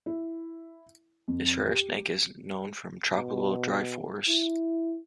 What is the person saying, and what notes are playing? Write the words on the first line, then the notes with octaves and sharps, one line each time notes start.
This rare snake is known from tropical dry forests.
E4
F2
G4
B2
E4